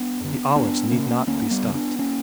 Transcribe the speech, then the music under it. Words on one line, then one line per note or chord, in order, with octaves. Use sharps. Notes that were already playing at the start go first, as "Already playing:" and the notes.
The olives need not be stuffed.
Already playing: B3 D4
F#2 D3
D2 B3 D4
C#3 A#3 C#4
D2 A#3 C#4
G3 B3
C#3
B3 D4
A#3 C#4